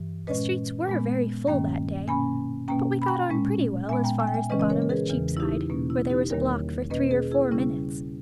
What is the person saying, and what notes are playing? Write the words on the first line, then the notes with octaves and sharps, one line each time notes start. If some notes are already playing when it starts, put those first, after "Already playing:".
The streets were very full that day, but we got on pretty well as far as the bottom of Cheapside, where there was a block for three or four minutes.
Already playing: G2 E3
A#2 G#3 C#4 B4 D#5
A#2 G#3 B3
G2 D#3 A#3 C#4 G5 A#5
B2 A#3 C#4 G#5 B5
B2 A#3 C#4 G5 A#5
B5
G5 A#5
A#2 G#3 C#4
A#2 G#3 B3 E5 G#5
G5 A#5
E5 G#5
G5
E5 G#5
C#3 E3 G#3 C#4 B4 D#5
D#5
A#4 C#5
A#4
G#4 B4
E2 C#3 E3
E4
D#4 G4
B2 A#3 C#4
E4
D#4 G4
E2 D#3 G3 A#3 A#4 C#5
B2 A#3 C#4 B4 D#5
G#4 B4
E4 G#4
C#3 G3 C#4 E4